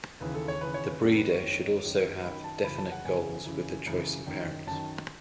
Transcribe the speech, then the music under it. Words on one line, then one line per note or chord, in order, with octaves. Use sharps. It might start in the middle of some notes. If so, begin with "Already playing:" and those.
The breeder should also have definite goals with the choice of parents.
D#2 C#3 E3 B4
A4
C#5
D#2 C#3 E3 B4
C#5
B4
F#2 D#3 A4
B4
C#5
F#2 D#3
F#2 D#3
F#2 D#3 B5
A5
F#2 C#3 E3 B5
A5
F#5
F#2 C#3 E3 G#5
F#2 C#3 E3
F#2 C#3 E3
F#2 D#3
F#2 D#3 A5